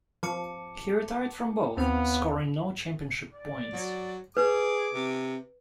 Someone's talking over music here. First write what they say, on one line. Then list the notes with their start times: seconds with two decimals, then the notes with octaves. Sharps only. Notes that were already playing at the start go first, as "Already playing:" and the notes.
He retired from both, scoring no championship points.
0.23 F3 A5 D6 C#7
1.77 D#2 B3 C4 F5
3.33 D5
3.73 F#3
4.37 G#4 B4 D6
4.93 C3